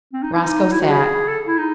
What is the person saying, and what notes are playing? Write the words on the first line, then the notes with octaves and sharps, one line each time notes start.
Roscoe sat.
C4
D#4
E4
D#4
E4
F#4
G#4
A4
E4
D#4